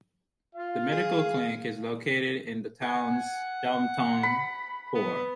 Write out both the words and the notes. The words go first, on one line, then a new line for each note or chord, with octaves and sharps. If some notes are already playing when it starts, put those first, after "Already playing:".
The medical clinic is located in the town's downtown core.
F4 F5
G#4
F#5 G#5
B5
B3